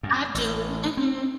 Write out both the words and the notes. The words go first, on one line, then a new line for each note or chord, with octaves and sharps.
I do, mhm.
F#2
A1
C4